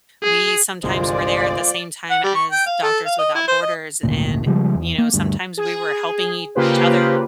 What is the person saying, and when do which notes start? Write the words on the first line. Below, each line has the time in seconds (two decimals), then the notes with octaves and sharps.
we sometimes were there at the same time as Doctors Without Borders and, you know, sometimes we were helping each other
0.23 G#4
0.84 G1 C2 A#2 D3 G#3 F4 C5 D5
2.10 F#5
2.23 G3
2.35 C#6
2.51 G5
2.66 F5
2.83 A4
3.06 F5
3.18 D#5
3.35 E4
3.47 C5
3.62 D#5
4.03 G#1 D2 A#2
4.46 C#3 F3 G3 G#3
4.75 E2
4.98 A#3
5.13 D2 G2
5.57 G#4
6.55 C#3 A#3 F4 G4 B4 C5